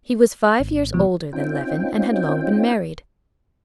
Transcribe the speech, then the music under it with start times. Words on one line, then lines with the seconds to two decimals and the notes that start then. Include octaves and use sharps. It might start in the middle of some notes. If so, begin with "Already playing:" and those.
He was five years older than Levin, and had long been married.
0.60 G#1
0.94 C#2 B2 F3
1.33 C4 C#4 D#4 F4 G5